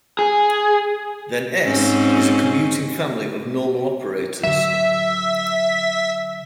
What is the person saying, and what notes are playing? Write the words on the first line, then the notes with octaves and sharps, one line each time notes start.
Then "S" is a commuting family of normal operators.
G#4
G#2 C4 C#4
D3 F#3 E5